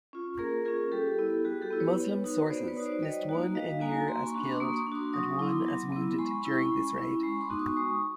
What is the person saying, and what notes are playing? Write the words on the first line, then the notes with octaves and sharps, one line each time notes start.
Muslim sources list one emir as killed and one as wounded during this raid.
C#4 F4
A#3 G#4 A#4
C#4 F4 G#4 A#4
G3 G4 A4
B3 E4
G3 F#4 G#4
G4 A4
B3 E4
B4 C#5
B3
D#4 F#4
B3 C5 D5
B4 C#5
D#4 F#4
C5 D5
G3 C#5 D#5
A#3 D#4 F#4
G3 D#5 F5
A#3 D#4 F#4 G#5 A#5
A#3 A#5 C6
B5 C#6
D4 F#4
C6 D6
A#3 C#6 D#6
D4
F#4 C6 D6
F#3 C#6 D#6
B3 E4 C6 D6
F#3
B3 E4
G#3 B5 C#6
C#4 E4
B5 C#6
G#3
C#4 E4
G#3 B5 C#6
C6 D6
B3 D#4 F#4
C#6 D#6
G#3 C#6 D#6